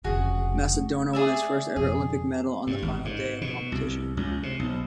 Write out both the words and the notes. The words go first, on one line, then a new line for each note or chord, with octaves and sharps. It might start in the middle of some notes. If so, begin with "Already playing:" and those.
Macedonia won its first ever Olympic medal on the final day of competition.
F1 C#3 F#4 G#4
A3
G#4 D5 E5
F2 B2 G#4
G2
G#1
G#2
B2
C2
C#2
C3
B1